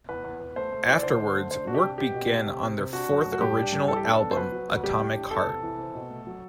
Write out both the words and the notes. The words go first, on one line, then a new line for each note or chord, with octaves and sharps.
Afterwards work began on their fourth original album "Atomic Heart".
E2 B4
E2
E2
A3 C5
A3
E3 D5
D3 C5
D3
A3
D4 C5
D4 F#4
G4
C3
B2 G4
B2
A3
C3
C4
C3
D4 F#4
F#2
A3
F#4
G2 G4
D4
G2
E3 A4
G4
D4 A4
B3
C5
F#3 B4
F#3
D2
G3 G4
A2
D4
E2 A4
C3
E3
C4
B2
A3
F#3